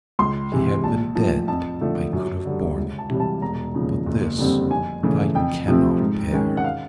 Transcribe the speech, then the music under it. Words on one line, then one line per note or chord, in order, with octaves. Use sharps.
'If he had been dead I could have borne it, but this I cannot bear!'
C#2 C6
C3 E3 G#3
A#1 A5
A2 F3 A5
F2 A5
D3 F3 A3
F#2
D3 G3
C#2
A5
C3 E3 G3
A5
E1 A#5
D#2 C#3 F3
F#1
F2 D3 G3 C4
F2 G#5
C#3 E3 A3
F2 G5
C3 F3 A3 C4
G#2
D#3 G#3 C#4
F#5
F5